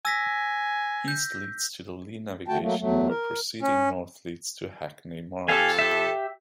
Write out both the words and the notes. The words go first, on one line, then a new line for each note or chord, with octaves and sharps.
East leads to the Lee Navigation where proceeding north leads to Hackney Marshes.
G#5 E6 A#6 B6
G6
D3 A3 F#4 G5 A5
F#3 A3 A#3
E2 F#3 A3
A#4
C#4
F2 G4 A4 F5 G#5
G4 E5